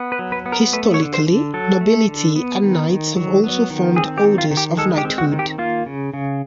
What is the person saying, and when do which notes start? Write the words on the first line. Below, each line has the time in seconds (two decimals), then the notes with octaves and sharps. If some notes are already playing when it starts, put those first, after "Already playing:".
Historically, nobility and knights have also formed Orders of Knighthood.
Already playing: B3
0.12 B4
0.19 F#3
0.32 B4
0.46 B3
0.52 A#4
0.73 A3 B4
0.94 C#5
1.00 D3
1.14 C5
1.27 D3
1.54 F#3 A4
1.81 A3
2.08 D3
2.36 B3
2.62 D#3
2.89 D#3
3.17 F#3
3.44 B3
3.70 D#3
3.96 C4 G#4
4.18 G4
4.24 D#3
4.38 F4
4.51 D#3
4.57 G4
4.77 G#3 A4
4.98 G4
5.05 C4
5.18 F#4
5.32 D#3
5.39 G4
5.58 A#3 F4
5.86 C#3
6.14 C#3